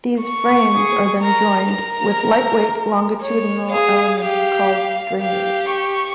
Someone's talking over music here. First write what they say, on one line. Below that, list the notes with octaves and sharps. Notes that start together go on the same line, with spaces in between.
These frames are then joined with lightweight longitudinal elements called stringers.
C#6
G#4
A#4 A#5
A#4 A#5
C#5
G#4 F5
G4 F5
G4 F5
C#6